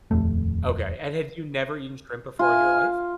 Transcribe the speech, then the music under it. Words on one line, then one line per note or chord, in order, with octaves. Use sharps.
Okay, and had you never eaten shrimp before in your life?
D#1 F2 A3
F4 G#5 F6